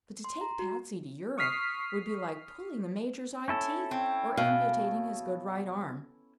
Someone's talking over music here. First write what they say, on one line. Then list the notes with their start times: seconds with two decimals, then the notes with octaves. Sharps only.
But to take Patsy to Europe would be like pulling the Major's eye teeth or amputating his good right arm.
0.24 C6
0.41 A#5
0.59 F#4
1.38 C#6 D#6 F6 B6 C7
3.48 C#4 E4 A4
3.91 C4
4.37 B2 F5